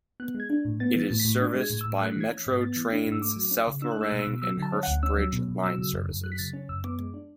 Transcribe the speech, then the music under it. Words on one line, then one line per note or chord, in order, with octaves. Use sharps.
It is serviced by Metro Trains' South Morang and Hurstbridge line services.
B3 F#6
G#3
G#6
D4
A2
B3 A6
E3 A6
A2
B6
A2
D4
G#3
G#6
A2
E6
A2
A3 F#6
E3 G#6
C#4
B6
G#2
B3 A6
E3
D4
G#2
E6
A3 D6
F#3
C#4
C#3
D4 E6
F#6
A3 E6
B2 F#6
E6
B2
F#3 E6
D3 A5
C#4
F#5
D2
C#4 E6
F#3
B2
B2
F#3 E6
C#3
F#2
F#2
F#3 F#6
B6
C#3 A6
C#4
F#2 E6
B3 D6
G#3
D4